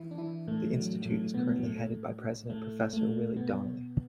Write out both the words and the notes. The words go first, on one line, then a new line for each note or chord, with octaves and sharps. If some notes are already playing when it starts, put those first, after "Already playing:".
The institute is currently headed by President Professor Willie Donnelly.
Already playing: E3 E4
D4
E3 E4
A2 A3
F#3
F#3
A2 A3
B2 B3
F#3
A2 A3
A2 A3
A2 A3
B2 B3